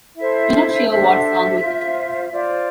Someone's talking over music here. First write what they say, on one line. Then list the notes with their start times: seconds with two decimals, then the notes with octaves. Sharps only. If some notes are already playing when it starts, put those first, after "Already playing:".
We're not sure what's wrong with it.
0.15 E4 A4 C5 E5
0.87 D4 A4 C5 E5
1.59 F4 C5
2.31 F4 C5 D5